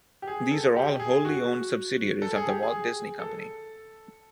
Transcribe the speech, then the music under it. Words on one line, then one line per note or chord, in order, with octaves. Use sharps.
These are all wholly owned subsidiaries of The Walt Disney Company.
G4
G#4
A4
G4
G#4
F#4
A4
G#4
G4
G#4
A4